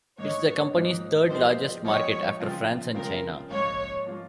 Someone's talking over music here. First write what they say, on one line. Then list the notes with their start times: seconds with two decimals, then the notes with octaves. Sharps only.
It's the company's third largest market, after France and China.
0.18 G#2 D#3 A#3 D#4 C#5
0.73 G#2 D#3 A#3 D#4
1.29 F3 C4 D#4 G4 C5
1.85 F3 C4 D#4 G4 C#5
2.40 C#3 F3 C4 F4
2.95 C#3 F3 C4 F4 A#4
3.50 G#2 F3 A#3 F4 C#5
4.06 F3 A#3 F4